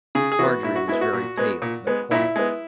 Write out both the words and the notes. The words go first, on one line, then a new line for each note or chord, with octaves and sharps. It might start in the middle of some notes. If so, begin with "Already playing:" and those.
Margery was very pale, but quiet.
C#3 G#4
G#4
E3 B3 F#4
A#2 E4
F#4
G#3 B3 E4
F#4
A#2
G#3 B3
A#2
G#3 B3
A#2 E4
G#3 B3